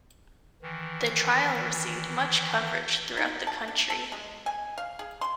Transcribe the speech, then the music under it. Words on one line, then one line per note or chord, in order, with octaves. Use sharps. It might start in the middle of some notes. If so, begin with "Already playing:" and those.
The trial received much coverage throughout the country.
D#3 E3
D#4
A5
D4
A4
G#3
G#5
F5
G#4
C6